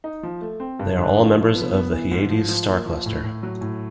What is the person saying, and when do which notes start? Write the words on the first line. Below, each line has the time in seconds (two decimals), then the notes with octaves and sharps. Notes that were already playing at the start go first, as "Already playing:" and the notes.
They are all members of the Hyades star cluster.
0.04 D#4
0.23 F3
0.41 A3
0.60 C4
0.79 G2
0.98 D3
1.16 F3
1.36 F3
1.55 B3
1.73 B3
1.93 E3
2.11 G#2
2.30 F3
2.49 F3
2.67 A#3
2.86 F3
3.06 A2
3.24 A2
3.43 F#3
3.61 A2